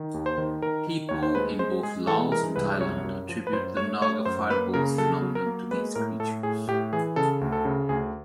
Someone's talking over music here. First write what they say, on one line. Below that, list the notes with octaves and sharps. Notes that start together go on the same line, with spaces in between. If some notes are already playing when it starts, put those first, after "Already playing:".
People in both Laos and Thailand attribute the naga fireballs phenomenon to these creatures.
Already playing: D#3
D#2
C5
D#3
D#3 A#4
D#3
D#2 C#5
C5
G#3 B4
G#3 C5
G#3 G#4
E3 A4
G#3 A#4
C2 B4
F#2 C#5
F#2
F3
B4
F#2 C5
A3 C#5
A3 C#5
F#2 C5
A#3 B4
C#3 A#4
F#3 A4
F#3
A#4
A#3
G#3 B4
A2 A#4
A2 A4
A2 G#4
A2 G4
E3 G#4
C#3 A4
D2
A4
C#3
D2 G#4